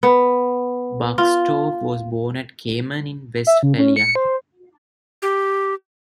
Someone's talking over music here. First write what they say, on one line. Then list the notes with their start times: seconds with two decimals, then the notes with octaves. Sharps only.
Buxtorf was born at Kamen in Westphalia.
0.03 B3
1.18 F4
3.47 E5
3.63 C#3
3.78 C#4
3.96 C#7
4.15 C5
5.22 G4